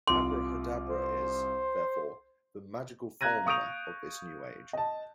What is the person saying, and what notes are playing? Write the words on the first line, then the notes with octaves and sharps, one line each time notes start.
Abrahadabra is, therefore, the "magical formula" of this new age.
C2 F4 C6 D6
C5
F5 A#5 F#6 G#6 A#6 D#7
F5 C#6 D#6 G6 D7 F7
D#5 A5